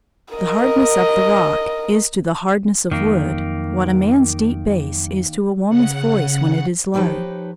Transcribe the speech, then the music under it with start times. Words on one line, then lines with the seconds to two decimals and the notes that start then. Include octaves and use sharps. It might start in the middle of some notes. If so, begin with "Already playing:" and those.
The hardness of the rock is to the hardness of wood what a man's deep bass is to a woman's voice when it is low.
0.35 A#4 D#5
2.91 F2 D#3 F#3 A#3
5.69 C#3 F#5
6.94 F3 D#4 G4 B4 C#5